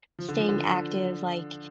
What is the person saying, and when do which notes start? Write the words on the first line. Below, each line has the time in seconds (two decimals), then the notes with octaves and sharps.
staying active, like,
0.19 F3
0.29 D3
0.39 F3
0.49 D3